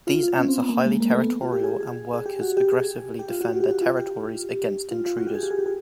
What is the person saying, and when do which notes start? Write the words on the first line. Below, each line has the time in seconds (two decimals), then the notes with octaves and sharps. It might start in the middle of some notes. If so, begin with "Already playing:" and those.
These ants are highly territorial and workers aggressively defend their territories against intruders.
0.07 F4
0.23 F4
0.38 C#4
0.48 C4
0.59 B3
0.69 A#3
0.85 G#3
1.00 A#3
1.11 A3
1.21 B3
1.42 F4
1.52 G4
1.64 G#4
1.80 G#4
2.13 G#4
2.26 G4
2.41 F#4
2.57 G4
2.72 G#4
3.19 G4
3.29 F4
3.41 F#4
3.53 F#4
3.60 G4
3.71 F#4
3.81 F4
3.97 G4
4.91 F4
5.06 F4
5.17 F#4
5.27 G4
5.35 G#4
5.43 G4
5.51 G#4
5.59 G4
5.66 G#4